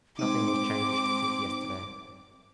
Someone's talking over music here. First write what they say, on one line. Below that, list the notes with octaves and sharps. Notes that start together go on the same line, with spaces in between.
Nothing was changed since yesterday.
G#3 C4 D#4 D6